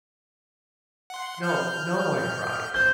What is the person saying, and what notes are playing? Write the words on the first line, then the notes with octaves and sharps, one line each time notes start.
"No, no!" I cried.
F#5 C6
F6 G6
A1 C5 G6